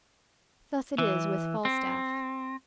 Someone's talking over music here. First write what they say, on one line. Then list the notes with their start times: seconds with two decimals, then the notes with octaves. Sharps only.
Thus it is with Falstaff.
0.98 E3
1.65 C4